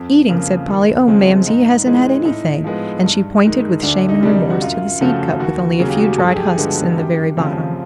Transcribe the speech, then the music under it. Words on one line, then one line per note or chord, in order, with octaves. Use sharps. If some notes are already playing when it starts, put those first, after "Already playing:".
"Eating!" said Polly, "oh mamsie, he hasn't had anything." And she pointed with shame and remorse to the seed-cup with only a few dried husks in the very bottom.
Already playing: F2
C#3 F3 A#3
D#2
C#3 F3 G#3 C4
G#2 D#4
E3 G#3 C4
A2 D#4
F3 G#3 B3
G2
D#3 G#3
D2 D4
D#4
C3 D#3 G3 D4
D#4
F#4
F#2 F4
C#3 F3 A3 F#4
D#2 F#4
C#3 F#3 A#3 G#4
G4
F#4
G4
G2 A4
G#4
G4
G#4
D3 F3 G#3 B3
F#2 G4
C#3 F3 A3 C4